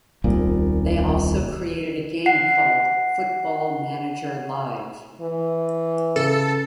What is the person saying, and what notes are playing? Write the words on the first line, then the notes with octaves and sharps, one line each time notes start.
They also created a game called Football Manager Live.
D#1 C2 A#2
F#5 C7
E3
C#3 A4